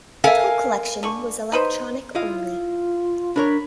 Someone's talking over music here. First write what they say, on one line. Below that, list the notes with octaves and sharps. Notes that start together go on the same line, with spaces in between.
Toll collection was electronic only.
A4 A#4 E5 F5 G#5
D3 C#6
D#4 B4 C5
E4 F4 D#5 F5
D4 A#4 C#5 B5